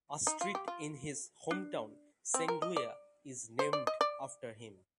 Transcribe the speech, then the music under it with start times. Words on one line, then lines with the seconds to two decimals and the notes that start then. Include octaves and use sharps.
A street in his hometown Senglea is named after him.
0.27 D#4
0.41 F4
0.55 G4
0.68 F4
1.51 D4
2.34 C4
2.48 A#4
2.62 D#5
2.77 D5
3.59 C5
3.73 D5
3.87 D#5
4.01 D5